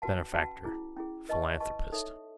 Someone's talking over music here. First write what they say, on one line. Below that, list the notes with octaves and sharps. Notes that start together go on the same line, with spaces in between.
Benefactor; philanthropist.
C#4 F#4 B4 F#5 A5
C#4 F#4 B4 F#5 A5
C#4 E4 G#4
C#4 E4 G#4
B4 D#5 A5 C#6
B4 D#5 A5 C#6
D#4 A4 C#5 E5